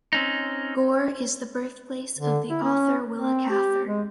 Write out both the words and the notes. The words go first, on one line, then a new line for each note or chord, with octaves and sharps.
Gore is the birthplace of the author Willa Cather.
C4 C#4 D#4
D3
E4
C#4
C4
G4
G#3